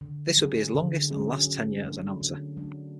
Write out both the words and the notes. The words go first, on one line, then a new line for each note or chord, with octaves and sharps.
This would be his longest and last tenure as announcer.
D3
F#3 C#4 G#4
D3
F#3 C#4 G#4
D3
F#3 A3 D4
D3
F#3 A3 D4